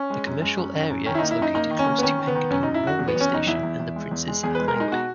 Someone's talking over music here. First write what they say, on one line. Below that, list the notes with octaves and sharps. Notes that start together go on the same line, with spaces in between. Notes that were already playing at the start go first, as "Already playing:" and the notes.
The commercial area is located close to Engadine railway station and the Princes Highway.
Already playing: C#4
G#3
F#2
G#3
F#2
F#2
F#2
D#3 C#4
E4
A#3 D#4
E4
F#2 D#4
A#3 D#4
D#3
C#4
A#3
B3
D#3 C#4
D#3
B3
D#3
F#2 C#4
F#2 D#4
E4
F#2 F#4
E2
B3
E2 C#4
E2 D#4
E2 E4
E2
E2
G#3
E2
G#3
E2 G#4
G#3 B4
A#4
G#3 D#4
B2 F#4